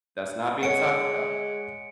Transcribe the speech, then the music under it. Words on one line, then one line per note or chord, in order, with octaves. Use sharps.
that's not being talked about.
G#3 C#5 F#5 C#7 D7